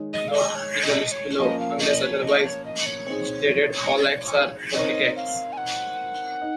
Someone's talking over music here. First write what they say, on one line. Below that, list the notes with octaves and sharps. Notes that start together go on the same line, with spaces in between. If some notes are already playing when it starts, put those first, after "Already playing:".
Note: In the lists below, unless otherwise stated, all Acts are Public Acts.
Already playing: D#3 G#3 D#4 G#4 C#5
D#5
F5
D#5
C#5
D#5
C#5
C#5
F3 A#3 C#4 D#5
F5
D#5
C#5
D#5
C#5
D#5
C#5
C4 D#4 G#4
C4 D#4 A#4 C#5 D#5
F5
G#5
F#5
D#4